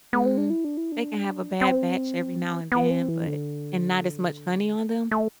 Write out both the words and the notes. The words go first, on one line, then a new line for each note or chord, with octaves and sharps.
mm, they can have a bad batch every now and then but and not as much honey on them
B3
C4
D4
E4
D4
E4
D4
C4
B3
C4
E3
D3
A3